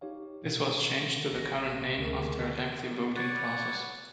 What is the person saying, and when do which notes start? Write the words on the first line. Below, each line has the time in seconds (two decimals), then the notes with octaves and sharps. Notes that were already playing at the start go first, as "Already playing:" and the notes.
This was changed to the current name after a lengthy voting process.
0.01 D#4 G4 C#5 F5
0.45 B2
1.32 A1 A#6
1.98 D2 D3 G4 G#4 A#4
3.16 B4 C#5 D5 F#5